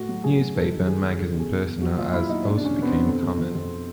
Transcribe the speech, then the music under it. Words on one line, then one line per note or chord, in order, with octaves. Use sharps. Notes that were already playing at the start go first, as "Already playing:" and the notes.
Newspaper and magazine personal ads also became common.
Already playing: A2 F#4
F#3
F#3 G#4
F#3
G2 A4
D#3
A4
G2 G#4
F#3
C#3 A4
E2 G#4
E2
E2
F#3 F#4
A#2 F4
F#3 E4
A#2 D#4
B2 D4
D4
E2 C#4
B2
B3
C4
B2
F2
F2
F2
F2